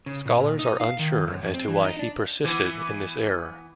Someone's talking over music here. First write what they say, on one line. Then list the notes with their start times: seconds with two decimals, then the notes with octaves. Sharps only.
Scholars are unsure as to why he persisted in this error.
0.06 C#3
0.26 A#2
0.40 A#2
0.59 D#4
0.80 F5
0.99 D#3
1.27 F#2
1.43 F2
1.54 C4
1.68 E3
1.84 D#4
1.99 D4
2.44 E3 B3